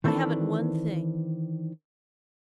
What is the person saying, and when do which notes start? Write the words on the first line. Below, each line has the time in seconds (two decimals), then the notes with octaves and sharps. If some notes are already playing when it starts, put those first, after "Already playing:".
I haven't one thing.
0.04 D#3 E3 C4 D4 A4